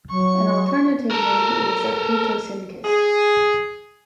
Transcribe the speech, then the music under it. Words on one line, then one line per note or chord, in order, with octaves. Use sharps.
An alternative name is Acritoscincus.
F#3 C#6
A4 A#4
G#4